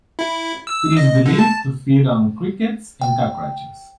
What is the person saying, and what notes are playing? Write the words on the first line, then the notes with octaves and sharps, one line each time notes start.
It is believed to feed on crickets and cockroaches.
E4
E6
D#5
D3
A5
G5